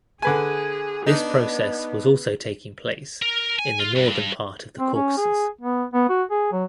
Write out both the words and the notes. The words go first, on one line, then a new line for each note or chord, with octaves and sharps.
This process was also taking place in the northern part of the Caucasus.
D3 G#4 B4 G#5
B3 D4 D#4
A#4
G#5
F4
G2
C4
C#4
G#4
B3
B3
F#4
G#4
F#3